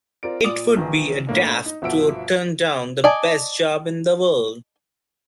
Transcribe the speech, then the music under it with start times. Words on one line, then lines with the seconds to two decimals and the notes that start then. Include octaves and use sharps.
It would be daft to turn down the best job in the world.
0.23 C4 F4 A#4 D5 D7
0.44 A#2 F4 D5 D6 D#6
0.77 A#1 D#3 E3
1.27 A2 A#3 D4
1.66 D#4
1.82 G1 B2 F3 E5 F#5 D7
3.04 D5 D#5 G#5 A5